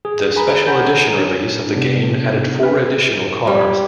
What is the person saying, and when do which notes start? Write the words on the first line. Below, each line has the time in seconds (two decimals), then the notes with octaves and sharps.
The "Special Edition" release of the game added four additional cars.
0.05 G#4
0.36 G#4 G#5 A#5 B5
0.67 C#5 F#5 G#5 A#5 B5 G6
1.17 D4 C#5
1.73 C3 B3 D4
2.63 B4 F6
3.47 G3